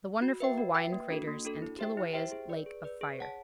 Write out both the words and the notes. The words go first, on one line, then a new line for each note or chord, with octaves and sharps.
The Wonderful Hawaiian Craters and Kilauea's Lake of Fire.
F#4
B4 E5 G5
F#4
B4 E5 G5
A#3
D4 F#4 A4
A#3
D4 F#4 A4
E4
G4 C5 E5 G5
E4
G4 C5 E5 G5
G#4
B4 D5
G#4
B4 D5
G#4
C#5 F#5 A5